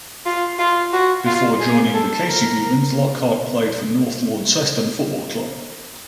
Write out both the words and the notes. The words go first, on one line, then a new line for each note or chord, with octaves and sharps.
Before joining the Casey Demons Lockhart played for North Launceston Football Club.
F4
F4
F#4
F4
G#4
A4
A#4